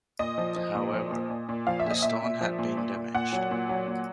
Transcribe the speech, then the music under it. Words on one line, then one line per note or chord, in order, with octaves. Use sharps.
However, the stone had been damaged.
A#2 D#5
F3
F3
A#2
F3
A#2
A#2
A#2
F3 F5
E5
A#2 D#5
A#2 E5
A#2
F3
A#2
A#2
A#2
A#2 F#5
F#3
A#2
F#3
A#2